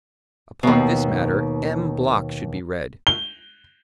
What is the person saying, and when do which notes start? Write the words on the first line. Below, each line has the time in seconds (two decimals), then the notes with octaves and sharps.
Upon this matter M. Bloch should be read.
0.63 D#2 B2
3.07 G7